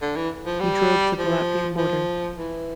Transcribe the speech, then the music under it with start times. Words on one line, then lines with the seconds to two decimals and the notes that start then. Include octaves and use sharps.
He drove to the Latvian border.
0.02 D3
0.16 E3
0.46 F3
0.60 G3
1.18 F3
1.77 F3
2.36 E3